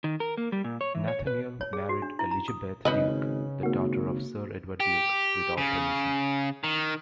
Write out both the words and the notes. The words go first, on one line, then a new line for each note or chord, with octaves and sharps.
Nathaniel married Elizabeth Duke, the daughter of Sir Edward Duke, without permission.
D#3
A#4
A#3
G3
A#2
C#5
E3
C#5
B4
C#5
G#4
F#4
D4
E4
A#5
D#6
G#1 C#3 D#4 B4 D#5
G#1 A#3 F#4
G4
C#3
D#3